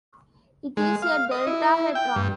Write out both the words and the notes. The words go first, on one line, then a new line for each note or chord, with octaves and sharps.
It is a deltahedron.
G#3
F5
D#5
E4
G5
G2